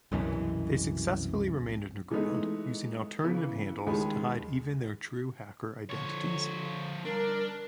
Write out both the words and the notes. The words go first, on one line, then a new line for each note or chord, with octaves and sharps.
They successfully remained underground using alternative handles to hide even their true hacker identities.
C2 F#2 B2 E3
E3 G#3 A3 B3 D#4
C#3 E3 B3
D#2 G#3 B5
D3 F3 C#5
G3 D4 A#4